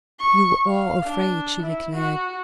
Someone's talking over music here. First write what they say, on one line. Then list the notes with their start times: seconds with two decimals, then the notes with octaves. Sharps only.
"You are afraid," she declared.
0.20 C#6
0.68 F5
1.05 D4
1.62 E4
1.94 F#4